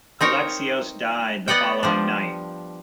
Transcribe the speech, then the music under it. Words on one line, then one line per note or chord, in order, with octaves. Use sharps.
Alexios died the following night.
C4 D#4 A#4 C#5
B3 D5 D#5 F#5 G5
F3 G3 D4